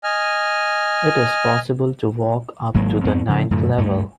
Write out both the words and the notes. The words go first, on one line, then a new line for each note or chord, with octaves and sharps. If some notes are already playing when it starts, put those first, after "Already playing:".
It is possible to walk up to the ninth level.
D#5 G#5 F6
G#1 G#2 F#3 A#3
F2 B3 C4
C#3 F3
F#2 A2 D3
D2 G2 A3